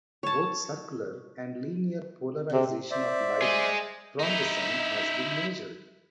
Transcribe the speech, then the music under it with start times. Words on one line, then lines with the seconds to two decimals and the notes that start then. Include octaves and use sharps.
Both circular and linear polarization of light from the Sun has been measured.
0.23 C#5 A5
2.52 C3
2.91 C5 D5 E5
3.42 G#4 D#5
4.19 D#4 E4